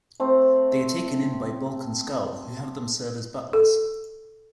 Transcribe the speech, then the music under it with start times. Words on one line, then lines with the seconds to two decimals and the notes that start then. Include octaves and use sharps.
They are taken in by Bulk and Skull, who have them serve as butlers.
0.20 A3 C4 C5
3.53 A4